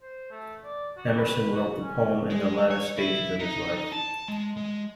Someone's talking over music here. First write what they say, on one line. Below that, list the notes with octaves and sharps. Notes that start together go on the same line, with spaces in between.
Emerson wrote the poem in the latter stages of his life.
C5
A3
D5
F#4
B4
F#4
C#4
G#3
C#5
E4
D#4
A5
G#3
G#3